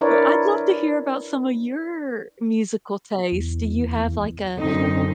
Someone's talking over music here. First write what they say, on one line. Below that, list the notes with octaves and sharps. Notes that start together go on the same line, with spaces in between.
I'd love to hear about some of your musical taste. Do you have, like, a
D4 E4 A#4 B4 C#5 D5
E2
F#2 D3 C4 D#4